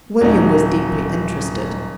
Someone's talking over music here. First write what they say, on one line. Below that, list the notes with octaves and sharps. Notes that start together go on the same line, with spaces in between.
William was deeply interested.
D#1 F#3 D#4